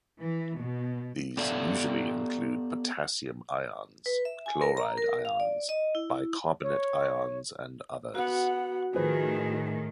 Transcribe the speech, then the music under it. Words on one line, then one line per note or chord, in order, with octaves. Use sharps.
These usually include potassium ions, chloride ions, bicarbonate ions, and others.
E3
B2
B3 G4 A4 D5 E5 F5
B4
E5
G#5
A#4
A#5
A#4
F5
D5
D#5
E4
C#5
B3 F#4 F#5
A2 D#3 F3 G#4 B4